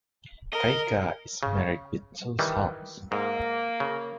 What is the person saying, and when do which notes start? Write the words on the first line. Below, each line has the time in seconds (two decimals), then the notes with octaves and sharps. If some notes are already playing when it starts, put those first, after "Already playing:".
Caica is married with two sons.
0.53 A#4 D#5
1.43 C#3
2.39 D#3 E3 G3
3.12 G#2 A#3
3.80 C#3